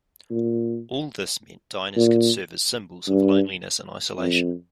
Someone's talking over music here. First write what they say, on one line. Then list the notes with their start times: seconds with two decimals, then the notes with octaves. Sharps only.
All this meant diners could serve as symbols of loneliness and isolation.
0.31 A#2
1.97 A#2
3.08 G2
4.19 F2